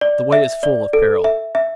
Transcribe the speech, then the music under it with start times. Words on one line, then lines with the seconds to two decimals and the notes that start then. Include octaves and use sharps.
The way is full of peril.
0.01 D5
0.32 E5
0.63 D5
0.93 A4
1.24 E5
1.55 E5